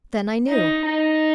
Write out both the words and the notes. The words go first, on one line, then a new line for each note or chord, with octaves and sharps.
Then I knew.
D#4
D#4